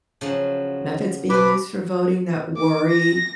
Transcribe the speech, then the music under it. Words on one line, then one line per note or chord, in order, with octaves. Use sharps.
methods being used for voting that worry
C#3 F3 F#3
B2 B4 C5 B5 D6
D6
A#6